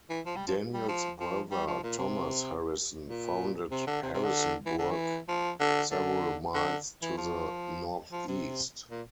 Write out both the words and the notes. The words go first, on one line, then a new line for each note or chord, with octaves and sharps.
Daniel's brother Thomas Harrison founded Harrisonburg several miles to the northeast.
E3
F3
G3
F3
G3
F3
F3
G3
F3
A#2
C3
A#2
C3
D3
C3
C3
D3
E3
D3
E3
F3
D3
D3
D3
E3
F3
F3
C3
A#2